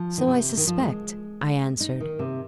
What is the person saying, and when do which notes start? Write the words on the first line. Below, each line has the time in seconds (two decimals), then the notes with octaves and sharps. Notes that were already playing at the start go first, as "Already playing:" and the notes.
'So I suspect,' I answered.
Already playing: F3
0.18 D#3
0.27 C3
0.57 D#3
0.67 F3
0.79 G#3
1.80 D#4
2.00 D#3
2.19 C3